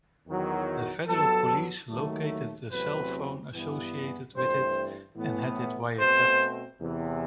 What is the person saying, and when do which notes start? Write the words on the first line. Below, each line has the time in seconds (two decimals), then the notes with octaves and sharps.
The Federal Police located the cell phone associated with it and had it wiretapped.
0.25 E2 D#3 F#3
1.07 G2 F#3 B3 A4
1.89 D#2 D#3 F#3 A3
2.70 E2 C3 F#3 A3 C4 B4
3.53 G2 E3 B3
4.34 G2 E3 A3 C4 C5
5.16 A2 E3 B3
5.98 B2 A3 C4 C5
6.80 E2 C3 E3